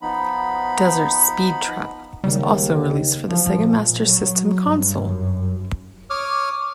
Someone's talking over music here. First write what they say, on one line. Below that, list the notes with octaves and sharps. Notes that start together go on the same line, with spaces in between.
"Desert Speedtrap" was also released for the Sega Master System console.
F3 B3 D#4 B5
D#2 C#3 G3
F3
A#2
F#3
G2
F#2
C#5 D6 D#6 F6